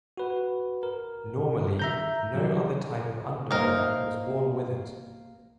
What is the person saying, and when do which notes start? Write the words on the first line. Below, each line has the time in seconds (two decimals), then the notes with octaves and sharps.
Normally, no other type of underwear was worn with it.
0.17 F#4 B4
0.83 A#4
1.79 E5 A#5 G6
2.35 F#3 G4
3.51 A#3 D#4 A#4 C5 C#5